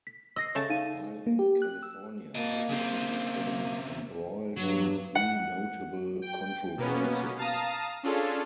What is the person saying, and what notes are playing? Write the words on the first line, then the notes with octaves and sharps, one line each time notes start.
While in California, Whitney became embroiled in three notable controversies.
B6
D#5 E6 A#6 C7
C#3 A3 A5
D#4 F5 D#7
A#3
G4
F#6
E6
A#3 D#5 A5
C#3 C4
G2 F#3
F#5
G5
B2 A#3 B3 C#4
F5 A5 A#5 D#6
C#4 D4 F4 G#4 A4